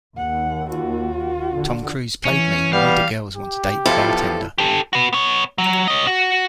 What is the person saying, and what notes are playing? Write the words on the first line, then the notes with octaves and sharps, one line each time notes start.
Tom Cruise played me!...Why do girls want to date the bartender?
D#2 F#5
F4 F#4
D3
E3 C#4
G3 B3 F5
G4
B1 B2 F3 E4 F4 A4
G4 A4
F#4 B4
B3 C#5
F#3
C#5 D#5
F#4